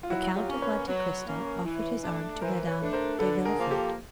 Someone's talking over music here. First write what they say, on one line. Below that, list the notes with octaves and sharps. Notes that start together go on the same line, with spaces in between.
The Count of Monte Cristo offered his arm to Madame de Villefort.
F4
F#3 E4 F#4
F4 G4
A#3 C#4
B4 C#5
F#3
A#3 C#4
E3
A3 D4
E3 A#4 C5
B4 C#5
A3 D4
A#4 C5
D3 A4 B4
G#4 A#4
F3 A#3
G4 A4